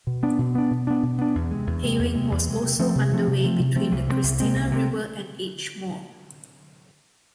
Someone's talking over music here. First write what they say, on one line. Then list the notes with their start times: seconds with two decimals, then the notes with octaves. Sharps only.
Paving was also underway between the Christina River and Edgemoor.
0.07 B2
0.23 B3 D4
0.38 B2
0.55 B3 D4
0.71 B2
0.87 B3 D4
1.03 B2
1.18 B3 D4
1.35 E2
1.51 C3 G#3
1.67 E2
1.83 C3 G#3
1.99 E2
2.15 C3 G#3
2.31 E2
2.47 C3 G#3
2.64 C3
2.79 F3 A3 C4
2.95 C3
3.11 F3 A3 C4
3.27 C3
3.44 F3 A3 C4
3.59 C3
3.76 F3 A3 C4
3.92 C2
4.08 C3 G#3 C4
4.23 C2
4.40 C3 G#3 C4
4.55 C2
4.72 C3 G#3 C4